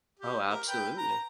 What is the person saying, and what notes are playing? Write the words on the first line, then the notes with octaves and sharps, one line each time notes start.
Oh, absolutely.
G4
A#4
B4 G5
A#5